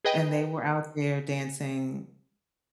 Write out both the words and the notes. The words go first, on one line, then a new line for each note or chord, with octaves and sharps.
and they were out there dancing
G#4 B4 D#5 G5